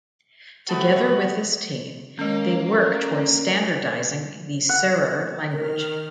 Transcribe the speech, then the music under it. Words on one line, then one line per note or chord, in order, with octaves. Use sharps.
Together with his team, they work towards standardizing the Serer language.
C3 A3 B3 F#4 A5
D#3 G#3 A#3 C#4
F#5
D#3 A#4 F6